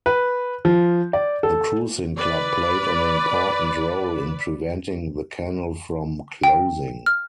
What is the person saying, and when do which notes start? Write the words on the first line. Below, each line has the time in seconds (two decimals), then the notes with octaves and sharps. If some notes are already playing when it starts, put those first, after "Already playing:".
The cruising club played an important role in preventing the canal from closing.
0.06 B4
0.65 F3
1.13 D5
1.43 A4
2.17 B4 D5
6.44 G5
7.06 F6